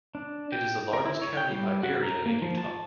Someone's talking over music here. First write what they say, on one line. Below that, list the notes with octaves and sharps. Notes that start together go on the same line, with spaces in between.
It is the largest county by area in Utah.
D4
G5
A#4
E4
C#5
G5
G3
F#4
A#5
A#3
F3
A5